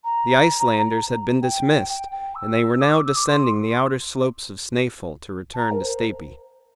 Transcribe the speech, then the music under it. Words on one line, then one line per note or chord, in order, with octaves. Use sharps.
The Icelanders had been dismissed, and they were now descending the outer slopes of Snaefell to return to Stapi.
A#5
G5
G5
G5
E6
D6
D6
E6
D6
C6
A5
A#5
A#4
C5